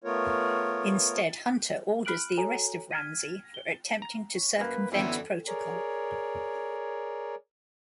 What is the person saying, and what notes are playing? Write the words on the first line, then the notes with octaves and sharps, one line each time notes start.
Instead Hunter orders the arrest of Ramsey for attempting to circumvent protocol.
A3 B3 F4 A#4 C#5
B5 F6 F#6 D7 F#7
F#4 A4 C#5 G#5 A#5
F6 G#6 B6 D#7
G7
A#5
F#2 A#3 B4
F#2 D3 E3 F#3 B3 E4 G5
G#4 A#4 C#5 D5